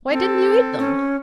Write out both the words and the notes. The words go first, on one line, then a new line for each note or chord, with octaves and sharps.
"Why didn't you eat them?"
C4 A4
C#4